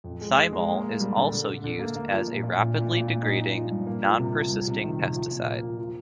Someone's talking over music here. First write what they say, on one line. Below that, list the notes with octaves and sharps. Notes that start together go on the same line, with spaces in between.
Thymol is also used as a rapidly degrading, non-persisting pesticide.
F2
G#3
G#3
G#3
A#3
A#3
G3
D3
D3
D3
D3
A#3
A#3
F3
A#2
A#2
A#2
A#2
A#2
A#2
D#4
D#4
F3
G2
A#3
F3
C3
F3
C2
C3
D#3
C3
F3
A#2
A#3
F3
F3